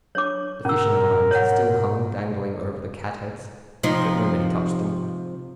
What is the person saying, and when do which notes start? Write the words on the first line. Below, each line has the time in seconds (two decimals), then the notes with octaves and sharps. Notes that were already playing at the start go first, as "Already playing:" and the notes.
The fishing-lines still hung dangling over the catheads, but nobody touched them.
0.15 F#3 D4 C#5 D6
0.65 G#2 B2 C#4 A#4 E6
1.31 C#5 F#5
3.83 C3 F3 D#4